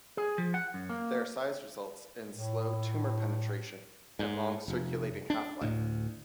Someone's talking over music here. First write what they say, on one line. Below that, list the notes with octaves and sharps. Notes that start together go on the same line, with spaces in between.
Their size results in slow tumor penetration and long circulating half-life.
G#4
F3
F#5
F#2
A#3
A2
G#2
F1
D4
D2 A2